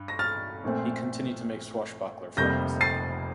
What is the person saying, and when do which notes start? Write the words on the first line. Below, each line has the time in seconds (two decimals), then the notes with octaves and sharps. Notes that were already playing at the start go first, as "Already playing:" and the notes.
He continued to make swashbuckler films.
Already playing: G2
0.08 A#6
0.19 F6 A6
0.63 A#1 A#2 A3 C4
2.37 F1 F2 C3 G3 A#3 G6 A#6
2.81 A6 C7